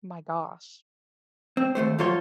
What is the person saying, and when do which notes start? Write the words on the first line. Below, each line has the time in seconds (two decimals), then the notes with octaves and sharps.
my gosh,
1.57 C4
1.75 D#2 G#2 A3 C5
1.98 F#2 F3 F4 A4 C#5 C6